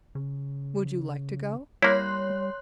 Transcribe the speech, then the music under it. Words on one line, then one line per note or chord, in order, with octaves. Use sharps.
"Would you like to go?"
C#3
G3 A#3 E4 C#5 C6 F#6